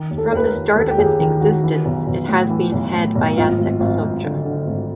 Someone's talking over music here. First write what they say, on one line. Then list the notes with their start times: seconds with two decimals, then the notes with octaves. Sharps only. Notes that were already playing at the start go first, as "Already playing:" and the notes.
From the start of its existence it has been head by Jacek Socha.
Already playing: D#3
0.11 D#2
0.18 A4
0.32 D#2 B4
0.47 A#4
0.55 D#2
0.76 D#2 A4
0.91 G4
0.98 D#2 G#4
1.20 D#3 G4
1.41 D#3 F#4
1.63 E3
1.85 B1
2.07 B1
2.28 A2
2.50 E3
2.72 B1
2.94 A2
3.15 B1
3.38 G#1 F4
3.59 G#1
3.80 G#1
4.02 G#1
4.24 D3
4.45 D3
4.67 G#1